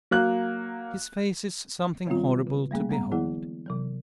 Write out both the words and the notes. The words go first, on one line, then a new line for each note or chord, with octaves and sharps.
His face is something horrible to behold.
F#3 A#3 F#6
D#3 G3 G#3 B3 C4 F4
C#3
G3 A3 A#3 C#4 G#4
G3 G#3 B3 A#5
D#3 F3 B3 E4 G#4 F#5
C3 E3 F#3